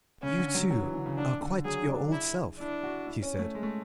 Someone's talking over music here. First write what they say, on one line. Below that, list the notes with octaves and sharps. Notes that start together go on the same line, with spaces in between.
"You, too, are quite your old self," he said.
C#3 C#4
D3
F#3
F#3
E3
D3
C#3
D3 D4
D3
F#3 G#4
D4
E4
D4 E4
F#4
E4
C#4
A3
G#3
A3